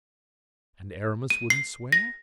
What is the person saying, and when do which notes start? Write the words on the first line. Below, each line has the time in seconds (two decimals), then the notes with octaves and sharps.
"And Aramis wouldn't swear?"
1.30 D#7
1.50 C7
1.92 A#6